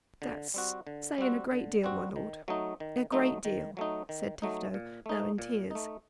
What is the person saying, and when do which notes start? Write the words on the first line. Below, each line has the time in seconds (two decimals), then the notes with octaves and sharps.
"That's saying a great deal, my Lord,--a great deal," said Tifto, now in tears.
0.22 D3
0.54 G3 C4 F#4
0.87 D3
1.18 G3 C4 F#4
1.51 D3
1.84 G3 C4 F#4
2.16 D#3
2.48 F#3 A3 D#4
2.80 D#3
3.12 F#3 A3 D#4
3.45 D#3
3.77 F#3 A3 D#4
4.09 D#3
4.42 F#3 A3 D#4
4.74 A#2
5.06 A3 D#4
5.38 A#2
5.71 A3 D#4